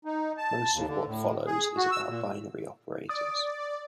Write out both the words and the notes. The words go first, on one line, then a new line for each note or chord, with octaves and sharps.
Most of what follows is about binary operators.
D#4
A5
D#2
D3
A2
G#4
F#4
E6
A#2
D5 D#6